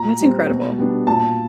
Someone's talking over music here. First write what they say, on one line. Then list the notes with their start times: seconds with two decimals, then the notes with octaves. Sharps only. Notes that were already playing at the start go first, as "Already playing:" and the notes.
That's incredible.
Already playing: A#2 A#5
0.20 G3 C4
0.49 B2
0.78 G3 B3 D4
1.07 A#2 A5